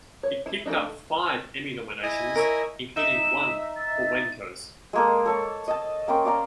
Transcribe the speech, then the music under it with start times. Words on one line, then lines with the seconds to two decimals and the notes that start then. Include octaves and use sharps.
It picked up five Emmy nominations, including one for Wendkos.
0.23 C#5
0.46 E4
0.66 E3 A3 A#3 D4 D#4
2.03 E4 D#5 G#5
2.35 A#4 C#5 E5
2.96 D#4 E5 E7
3.76 A6
4.93 G#3 A#3 A4
5.26 A4 C#5 A5
5.68 D#5 A5
6.08 A#3 C#4 G5 C6
6.25 D5 F5 A5 A#5